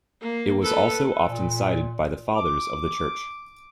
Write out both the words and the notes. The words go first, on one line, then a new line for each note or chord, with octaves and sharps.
It was also often cited by the Fathers of the Church.
A#3
A4 B4
A#2
D6